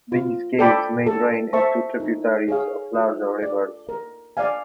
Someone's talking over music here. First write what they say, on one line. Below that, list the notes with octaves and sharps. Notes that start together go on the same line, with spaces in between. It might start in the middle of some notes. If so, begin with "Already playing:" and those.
These caves may drain into tributaries of larger rivers.
F4
A4 D5 G5 B5
A4
C5 E5 A5 C#6
D#4
G#4 C#5 F5
F4
A4 D5
A#4
D5 F5 G#5